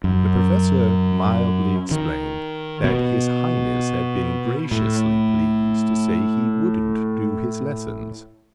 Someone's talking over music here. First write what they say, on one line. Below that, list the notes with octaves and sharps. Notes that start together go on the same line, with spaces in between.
The Professor mildly explained that His Highness had been graciously pleased to say he wouldn't do his lessons.
F#2
D#3
B2
A2